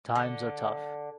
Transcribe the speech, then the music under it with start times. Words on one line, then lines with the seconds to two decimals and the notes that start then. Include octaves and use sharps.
Times are tough.
0.15 D3